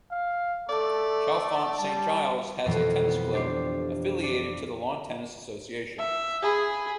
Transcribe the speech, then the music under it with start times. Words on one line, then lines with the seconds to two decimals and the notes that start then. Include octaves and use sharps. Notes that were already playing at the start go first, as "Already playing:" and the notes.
Chalfont Saint Giles has a tennis club, affiliated to the Lawn Tennis Association.
0.11 F5
0.69 A3 A4 D5
1.77 G3 A5
2.66 F2 B2 E3 A3
3.08 B3
3.34 D4 G4 C5
4.23 D4
5.99 E5
6.42 G#4 B5